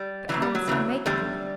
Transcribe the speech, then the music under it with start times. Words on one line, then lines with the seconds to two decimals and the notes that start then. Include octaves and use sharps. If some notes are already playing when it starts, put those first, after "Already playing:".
'But how must I make them know?
Already playing: G3
0.29 F#2 C#3 E3 F#3
0.42 G3
0.55 F#3
0.67 E2 C#3 E3
1.06 E2 D3 G3